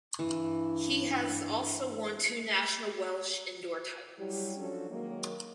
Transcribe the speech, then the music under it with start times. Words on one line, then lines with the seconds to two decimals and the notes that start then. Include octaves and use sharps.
He has also won two national Welsh indoor titles.
0.19 G2 E3
4.19 F#3 G3 E4 G4
4.57 F3 F#3 C#4 D4 F#4 A4
4.90 D#3 F#3 G#3 A#3